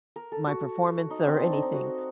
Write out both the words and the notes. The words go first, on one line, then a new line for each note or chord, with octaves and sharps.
my performance or anything.
A#4
A4
F#4
D#4
C4
D4
D#4
D#4
F#4